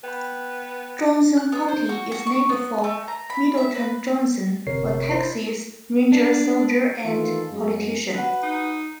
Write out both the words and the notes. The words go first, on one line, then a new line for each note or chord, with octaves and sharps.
Johnson County is named for Middleton Johnson, a Texas Ranger, soldier, and politician.
B3 G5 B5
F#6
B3
C5
F#4
F#4
C#6
B3
A3
A#5
B5
E5
B4
G1 C3 A#4 C#5 C7
E4 C5
D4
D#3 E3 F4 A4
F#2 G#3
F#4 B4
D#4